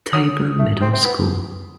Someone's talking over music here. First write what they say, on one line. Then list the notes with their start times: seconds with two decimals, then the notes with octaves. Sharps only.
Tabor Middle School.
0.13 F#3 D#6
0.59 A3
0.82 C4
0.93 C4
1.04 B3